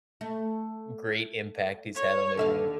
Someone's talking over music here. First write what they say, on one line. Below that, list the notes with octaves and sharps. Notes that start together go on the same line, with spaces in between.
great impact he's had on everyone.
A3
C#5
D#2 D3 E5 F5